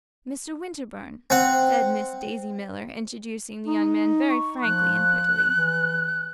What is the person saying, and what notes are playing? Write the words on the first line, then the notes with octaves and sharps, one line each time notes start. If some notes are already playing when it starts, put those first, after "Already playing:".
"Mr. Winterbourne," said Miss Daisy Miller, introducing the young man very frankly and prettily.
C4 F#5
D#4
C#6
F3 F#6
E3